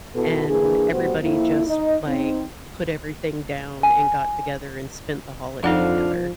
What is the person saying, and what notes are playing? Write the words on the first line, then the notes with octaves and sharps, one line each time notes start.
and everybody just, like, put everything down and got together and spent the holiday together,
B2 B3 E4 A4
E3 A#3 D4 G#4
D2 B2 G3 B3 F#4 C5
F2 A#3 E4
D#4 D#5
C4 D#4
G#5
F2 F3 D4 D#4 F5 F#5